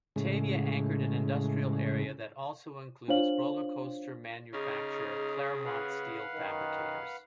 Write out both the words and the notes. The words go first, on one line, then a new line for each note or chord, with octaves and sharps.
Batavia anchored an industrial area that also includes rollercoaster manufacturer Clermont Steel Fabricators.
A2 C#3 G#3
D4 F4 C5 C#5 F5 F#7
C#3 D#4 G#4 F6
B4 F5 F#5
F#2 D#3